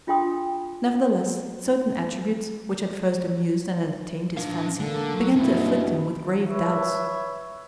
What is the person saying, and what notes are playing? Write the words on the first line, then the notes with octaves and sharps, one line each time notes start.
Nevertheless, certain attributes which at first amused and entertained his fancy began to afflict him with grave doubts.
D4 F4 G#4 G5 C6 D#6
D4 F5
D3 A#3 A4
F#3
G2 B2 A#3 C#4 E4
B4 C#5 E5